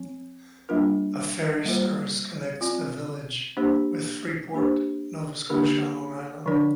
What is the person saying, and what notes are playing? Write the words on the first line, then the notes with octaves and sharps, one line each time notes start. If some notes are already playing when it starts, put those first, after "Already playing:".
A ferry service connects the village with Freeport, Nova Scotia on Long Island.
Already playing: F3 C4
G3 A#3 D4 F4 A#4
G3 A#3 F4 C5
C4 F4 D5
A#3 D4 G4 C5
A#3 D4 G4 C5
D3 A#3 D4 G4 A#4
D3 F3 D4 A#4 D5